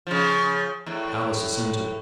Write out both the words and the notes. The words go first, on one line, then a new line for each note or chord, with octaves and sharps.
Alice assented.
C#3 F3
E2 A2